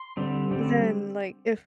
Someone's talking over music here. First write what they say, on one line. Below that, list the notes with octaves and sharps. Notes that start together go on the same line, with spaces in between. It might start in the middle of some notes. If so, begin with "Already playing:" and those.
then, like, if
Already playing: C6
D3 G3 C4
D3 G3 C4